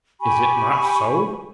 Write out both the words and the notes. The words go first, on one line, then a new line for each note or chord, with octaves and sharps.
Is it not so?'
G4 G#5 B5 C#6